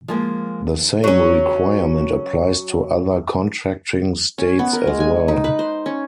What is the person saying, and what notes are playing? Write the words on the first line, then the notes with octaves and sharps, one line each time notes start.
The same requirement applies to other contracting states as well.
F3 G#3 A#3
F#3 C#4
C#4
B3
A#4
G#3
G#5
D#4
B4
C5
C#4